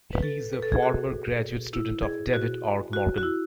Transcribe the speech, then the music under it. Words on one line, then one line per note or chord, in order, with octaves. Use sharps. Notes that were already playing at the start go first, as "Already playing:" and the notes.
He is a former graduate student of David R. Morgan.
B4
A4
B4
A4
G#4
F#4
E4
G#4
F#4
F#4
F#4
E4